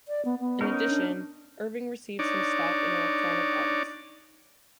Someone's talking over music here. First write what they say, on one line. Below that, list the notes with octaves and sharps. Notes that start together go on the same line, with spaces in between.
In addition, Erving received some stock in Electronic Arts.
D5
B3
B3
C#4 D#4 A#4
D4
D4 D#4 C#5 D5